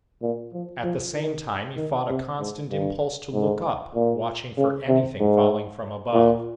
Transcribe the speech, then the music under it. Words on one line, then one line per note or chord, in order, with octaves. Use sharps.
At the same time he fought a constant impulse to look up, watching for anything falling from above.
A#2
F3
F3
D#3
D#3
C3
G#2
G2
G#2
A#2
C#3
C3
G#2
A#2